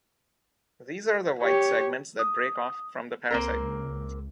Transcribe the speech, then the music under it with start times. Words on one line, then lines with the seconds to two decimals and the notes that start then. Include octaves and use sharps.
These are the white segments that break off from the parasite.
1.42 G4 C#5
2.19 D#6
3.30 C#2 A#3 C4 A#4